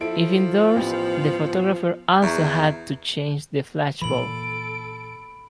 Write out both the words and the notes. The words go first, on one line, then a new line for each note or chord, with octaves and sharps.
If indoors, the photographer also had to change the flashbulb.
F3 E4 A4 D7
A1 B3 G4
E2 E5 A#5 C#6
A#2 E3 A4 B5 D7 F#7